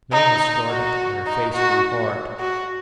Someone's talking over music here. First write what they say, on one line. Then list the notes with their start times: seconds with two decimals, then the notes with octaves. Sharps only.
Noma started, and her face grew hard.
0.12 D#4
0.69 F#4
1.27 D#4
1.55 F#4
2.39 F#4